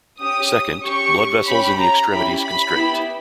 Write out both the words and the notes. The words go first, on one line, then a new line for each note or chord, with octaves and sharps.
Second, "blood vessels in the extremities constrict".
C#4 G4 D#6
C#4 G4 C#6
C#4 G4 B5
A#5
C#4 E4 G4 B5
B5
B3 E4 G4